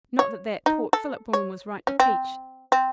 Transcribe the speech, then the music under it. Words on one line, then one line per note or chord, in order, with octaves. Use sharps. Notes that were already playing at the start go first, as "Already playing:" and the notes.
Not that that Port Phillip woman was right to peach.
C#5
D#4
A4
C#5
C#4
C4
C4